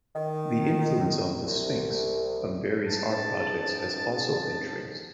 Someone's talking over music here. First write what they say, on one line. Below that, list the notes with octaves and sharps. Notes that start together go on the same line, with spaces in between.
The influence on "The Sphinx" of various art objects has also been traced.
D#3
C2
C#2 G#2 B3 A5